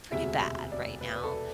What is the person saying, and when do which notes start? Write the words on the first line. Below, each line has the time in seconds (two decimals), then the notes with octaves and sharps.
pretty bad right now.
0.11 E1 D2 C3 G#3 E5
0.42 E5
0.72 D5
1.01 B4
1.16 B4
1.23 A4